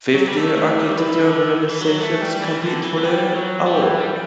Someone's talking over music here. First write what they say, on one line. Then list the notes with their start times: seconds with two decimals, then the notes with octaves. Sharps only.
Fifty architectural realizations compete for the award.
0.14 F#3
0.27 G3
0.36 A3
0.56 A3
0.76 G3
0.97 E3
1.19 D3
1.70 E3
1.80 F#3
2.00 A3
2.22 G3
2.42 E3
2.63 D3
2.83 E3
2.98 F#3
3.04 G3
3.35 F#3
3.66 G3
3.82 E3
3.98 G3